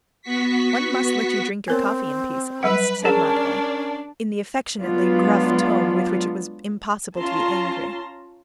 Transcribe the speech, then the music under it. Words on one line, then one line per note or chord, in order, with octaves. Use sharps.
"One must let you drink your coffee in peace, at least," said Matvey, in the affectionately gruff tone with which it was impossible to be angry.
B3 F#4 C#6 B6
B3 C4 A#4 C#5
F#3 G3 B4 F#5
C#4 D4 G#4 A#4 A5
F#3 G#3 B3 D4 F4
C#4 F4 A5 A#5 C6